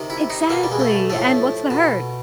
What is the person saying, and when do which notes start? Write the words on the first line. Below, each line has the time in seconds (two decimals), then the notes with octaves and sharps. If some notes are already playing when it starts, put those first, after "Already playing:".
Exactly, and what's the hurt?
Already playing: C3 D#3
0.10 E4
0.30 D#4
0.50 B2 A#3
0.63 G3
0.72 G#3
0.79 A3
1.10 A2 F3 A3
1.70 B2